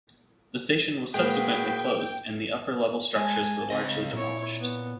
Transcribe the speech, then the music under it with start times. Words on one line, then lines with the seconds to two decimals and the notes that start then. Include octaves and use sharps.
The station was subsequently closed and the upper-level structures were largely demolished.
1.14 A#2 G#3 A#3 F#4 G#4 B4 G5
3.16 G#3 G#5 A5
3.70 C#2 C4 D#5
4.12 A#2 E4 C#5
4.60 B3